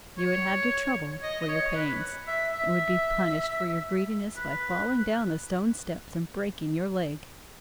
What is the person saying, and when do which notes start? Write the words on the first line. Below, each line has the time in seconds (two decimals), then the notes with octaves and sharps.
You would have your trouble for your pains, and would be punished for your greediness by falling down the stone steps and breaking your leg.
0.18 C#5
1.22 D#5
1.40 D#5
1.48 C#5
1.75 B4
2.27 E5
2.53 E5
4.37 B4